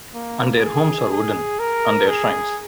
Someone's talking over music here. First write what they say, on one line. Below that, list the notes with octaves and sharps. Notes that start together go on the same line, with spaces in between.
And their homes are wooden and their shrines.
A#3
G#4
G#4
A#4
G#4